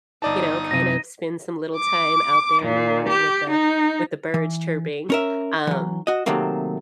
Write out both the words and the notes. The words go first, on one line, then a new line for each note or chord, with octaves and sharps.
you know, kind of spend some little time out there in the morning with the with the birds chirping," um,
G1 D#4 D5 A5
F#2 C3 A#6 D#7
D6
A#2
G4
D#4
E3
C#4 A#4 E5
E3 F#3
F#4 D#5
C3 D#3 F#3 A3 A#3 C4